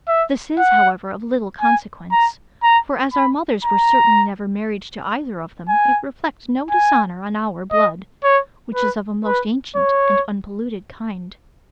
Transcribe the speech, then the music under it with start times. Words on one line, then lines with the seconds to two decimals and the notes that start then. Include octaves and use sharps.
This is however of little consequence for as our Mothers were certainly never married to either of them it reflects no Dishonour on our Blood, which is of a most ancient and unpolluted kind.
0.08 E5
0.58 F#5
1.61 G#5
2.12 A#5
2.63 A#5
3.14 B5
3.65 A#5
5.69 G#5
6.71 G#5
7.72 D#5
8.24 C#5
8.75 B4
9.26 B4
9.76 C#5